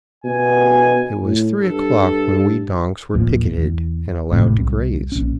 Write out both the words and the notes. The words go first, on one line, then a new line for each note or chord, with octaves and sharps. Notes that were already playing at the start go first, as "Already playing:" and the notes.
It was three o'clock when we donks were picketed and allowed to graze.
B2 G#5
A2
G2 A4
A1 D#2 A#2 F3
E2
G#1 F2 A2 C3
C2
A#1 C#4